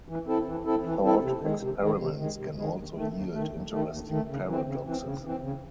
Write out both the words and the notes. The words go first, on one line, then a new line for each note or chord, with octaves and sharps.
Thought experiments can also yield interesting paradoxes.
E3
C4 E4 A4
E3
C4 E4 A4
E3
C4 E4 A4
C3
D#3 G#3
C3
D#3 G#3
C3
D#3 G#3
C3
D#3 G#3
D#2
D#3 A3
D#2
D#3 A3
D#2
D#3 A3
D#2
D#3 A3
C#3
E3 C4
C#3
E3 C4
C#3
E3 C4
C#3